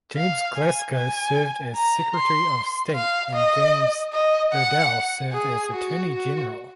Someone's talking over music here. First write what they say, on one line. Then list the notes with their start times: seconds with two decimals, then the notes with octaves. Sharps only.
James Glasgow served as Secretary of State and James Iredell served as Attorney General.
0.16 F5
0.56 G#5
0.96 G#5
1.75 A#5
2.15 C6
2.95 F5
3.34 D#5
4.14 D#5
4.53 F#5
5.32 G#4
5.73 F#4
6.12 F#4